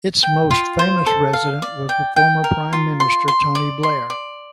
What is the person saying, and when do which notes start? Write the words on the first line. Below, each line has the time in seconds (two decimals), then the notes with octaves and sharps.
Its most famous resident was the former Prime Minister, Tony Blair.
0.23 G5
0.51 F4
0.79 C5
1.06 A4
1.33 F5
1.62 D5
1.89 G5
2.16 G5
2.44 A#4
2.73 F4
3.00 C6
3.28 C6
3.55 D5
3.83 C6
4.10 D5